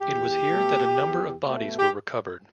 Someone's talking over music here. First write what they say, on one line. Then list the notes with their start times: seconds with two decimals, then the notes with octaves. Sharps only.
It was here that a number of bodies were recovered.
0.02 E2 G4
0.48 B2 A3
0.96 E2
1.42 B2 A3
1.79 G4